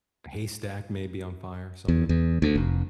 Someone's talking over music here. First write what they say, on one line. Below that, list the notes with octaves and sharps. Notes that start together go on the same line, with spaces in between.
A haystack may be on fire or something.
E2
E2
D2
F1